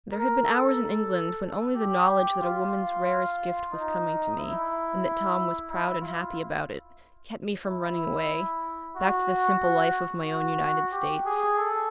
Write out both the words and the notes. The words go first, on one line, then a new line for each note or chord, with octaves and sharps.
There had been hours in England when only the knowledge that a woman's rarest gift was coming to me, and that Tom was proud and happy about it, kept me from running away--back to the simple life of my own United States.
A#4
A4
G4
F4
D#4
E4
E4
F4
E4
F#4
F#4
G4
G#4
A4